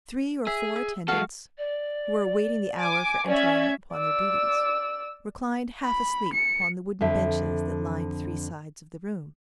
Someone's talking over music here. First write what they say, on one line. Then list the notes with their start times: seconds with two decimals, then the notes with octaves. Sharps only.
Three or four attendants, who were awaiting the hour for entering upon their duties, reclined half asleep upon the wooden benches that lined three sides of the room.
0.47 G#4 E5
0.76 E5
1.08 G#3 F#4 A4 F5
1.58 D5
2.77 G#5 D6
3.27 C#4 D5 E5 G#6
3.93 D5 E6
5.84 B5
6.33 C#7
7.01 F2 D3 E5